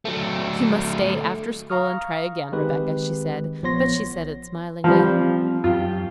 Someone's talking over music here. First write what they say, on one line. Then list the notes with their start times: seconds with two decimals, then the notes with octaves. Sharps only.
"You must stay after school and try again, Rebecca," she said, but she said it smilingly.
0.05 F#3 A3
1.70 F5 A#5 C#6 D#6 F6
2.52 D#3 G#3 C4 G4 B4
3.62 A#1 F3 B3 C#5 C6 A#6
4.84 F3 G3 C4 F5
5.64 F#2 F4 G4